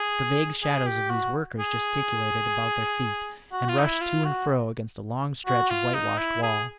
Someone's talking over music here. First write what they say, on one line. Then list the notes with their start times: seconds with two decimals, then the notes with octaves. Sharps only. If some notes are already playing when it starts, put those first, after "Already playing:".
The vague shadows of these workers gesticulated about their feet, and rushed to and fro against a long stretch of white-washed wall.
Already playing: G#4
0.63 G#4
0.87 G4
1.10 F#4
1.59 G#4
3.53 F#4
3.68 F4
3.79 D#4
3.85 E4
4.01 F4
4.25 F#4
5.46 F#4
5.70 F4
5.94 D#4
6.18 E4
6.42 G#4